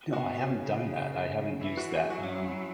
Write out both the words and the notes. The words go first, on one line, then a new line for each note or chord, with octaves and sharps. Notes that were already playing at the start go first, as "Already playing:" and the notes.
No, I haven't done that, I haven't used that. Um,
B2 F#4
C#4
C#3
C#4
E3 E4
F#4
G#4
F#3 F#4
C#4
E4
E4